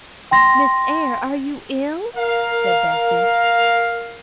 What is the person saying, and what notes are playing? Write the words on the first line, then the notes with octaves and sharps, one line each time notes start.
"Miss Eyre, are you ill?" said Bessie.
G5 C6 A#6
A#4 F5